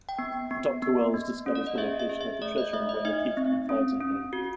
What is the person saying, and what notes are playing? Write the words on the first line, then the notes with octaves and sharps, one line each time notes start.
Doctor Wells discovers the location of the treasure when the thief confides in him.
G5
B3
B3
B3
A#3
C#4
D5
D#5
G#4 E5
E5
G#4
E5
A3 D5
D#5
A3 E5
D#5
D#4 E5
C4
C#4
C#4
F#4